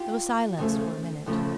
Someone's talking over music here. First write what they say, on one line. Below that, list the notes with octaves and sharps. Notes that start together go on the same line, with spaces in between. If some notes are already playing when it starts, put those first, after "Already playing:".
There was silence for a minute.
Already playing: F4 G4
F2 C#3 F3 A3
F2 C#3 F3 A3